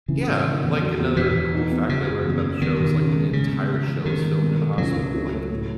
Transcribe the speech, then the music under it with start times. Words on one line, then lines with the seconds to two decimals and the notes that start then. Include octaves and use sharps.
Yeah, like another cool fact I learned about the show is like the entire show is filmed in the hospital, like,
0.08 C#3 E3
0.26 A2
0.45 D#3
0.62 E2
0.81 F#3
0.99 E2
1.16 E1 E3
1.35 E1
1.53 D#4
1.71 B3
1.89 C#3 F#3
2.07 F#1
2.25 E2
2.44 E2
2.61 D#3 B3
2.79 B1
2.97 C#3
3.16 G#3
3.33 A2 C#3
3.52 B3
3.69 G#3
3.88 E3
4.06 D#3 C#4
4.24 G#2
4.43 B2
4.60 A3
4.78 C#2 F#3
4.96 C#2
5.14 E4
5.32 A3
5.50 A2